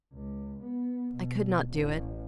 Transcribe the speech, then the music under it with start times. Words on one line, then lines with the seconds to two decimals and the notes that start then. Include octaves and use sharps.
I could not do it.
0.13 C#2
0.62 B3
1.13 B2
1.70 A1